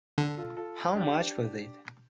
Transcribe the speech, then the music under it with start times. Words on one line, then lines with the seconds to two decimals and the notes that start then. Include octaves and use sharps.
How much was it.
0.18 D3 A4 D5
0.37 F4 A4
0.57 F4 A4
0.95 D4 G4